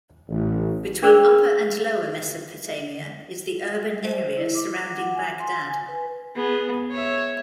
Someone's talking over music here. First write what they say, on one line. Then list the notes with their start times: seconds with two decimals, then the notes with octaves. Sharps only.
Between Upper and Lower Mesopotamia is the urban area surrounding Baghdad.
0.29 A1
1.03 D4 G#4 A#4 C5 D5 E6
3.88 G3
4.04 C5
4.37 E4
4.55 D6
4.74 D6
4.94 F#5
5.15 G#5
5.40 C6
5.68 G#5
5.89 B4
6.35 B3 G#4
6.91 C#5 E5